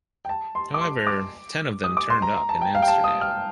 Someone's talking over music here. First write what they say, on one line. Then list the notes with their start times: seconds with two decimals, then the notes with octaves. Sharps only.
However, ten of them turned up in Amsterdam.
0.25 G5
0.29 A5
0.55 C6
0.74 D6
0.81 C6
1.07 D6
1.84 D#6
1.97 D6
2.10 C6
2.22 A#5
2.36 A#5
2.49 A5
2.61 G5
2.75 F5
2.82 G5
2.88 A5
3.04 D#6
3.21 F6